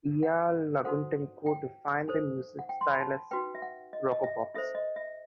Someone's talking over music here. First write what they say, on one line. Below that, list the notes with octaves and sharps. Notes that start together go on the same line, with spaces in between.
Ilya Lagutenko defined their music style as rockapops.
F#5
D#4 F#4 A4 C5 F#5
G5
D#4 A4 C5
F#5
G5
C6
B5
A5
D#4 F#4 B4 G5
E5
F#5
D#5
D#5
E5
E4 A4 C5 E5
D#5
E5